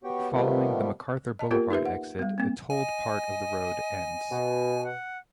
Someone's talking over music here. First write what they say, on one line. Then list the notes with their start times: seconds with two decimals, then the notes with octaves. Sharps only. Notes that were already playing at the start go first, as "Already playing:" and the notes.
Following the MacArthur Boulevard exit, the tolled part of the road ends.
0.04 B3 F#4 G4 C#5 G5
0.31 C3 D#3 F3 G3 A3 B3
1.39 D#5 A5
1.51 A#3 B3 F4 G4 A#4
1.70 D#4 G4 B4 E5
1.86 F#5
2.19 G3 B3
2.38 A#3 C4
2.70 D#5 G#5
4.31 B2
4.83 F#5